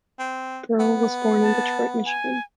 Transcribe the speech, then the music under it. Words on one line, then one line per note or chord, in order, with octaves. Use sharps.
Burrell was born in Detroit, Michigan.
C4
B3
A5
G#5